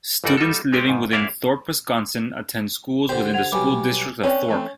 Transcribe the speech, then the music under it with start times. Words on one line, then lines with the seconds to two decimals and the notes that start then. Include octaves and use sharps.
Students living within Thorp, Wisconsin attend schools within the School District of Thorp.
0.24 G1 F2 E3 D#4 F#4 D5
0.37 G3 D#4 F4 F#4 A4
0.72 G#3 A#3 C4 C#4 G4
0.87 G#2 D#3
1.13 F#2 A#3 E4 D5 E5 F5
3.09 D3 G4 C5
3.34 F#5 G#6 F7
3.52 B1 G3 G#5 D6
4.24 C4 C#4 B4 C#5 D5
4.48 E3 A3 C4